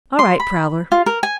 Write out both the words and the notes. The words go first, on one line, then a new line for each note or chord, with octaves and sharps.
"All right, Prowler."
C6
B5
F4
A#4
G#5